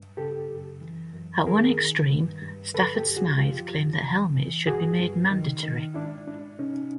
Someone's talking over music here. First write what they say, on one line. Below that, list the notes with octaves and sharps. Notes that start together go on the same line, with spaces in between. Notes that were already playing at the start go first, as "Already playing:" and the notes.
At one extreme, Stafford Smythe claimed that helmets should be made mandatory.
Already playing: G2
C#3 G4 A4
F#2
E3
F#2
D#3 G#4 A#4
D#3
G2
G2
D3 A4 B4
G4 A4
F#2
F#4 G#4
F3 F4 G4
F#2
E3
E3
G2 F#4 G#4
G2
D#3
D#3
G#2 D4 E4
G#2 D4 E4
C3 C#4 D#4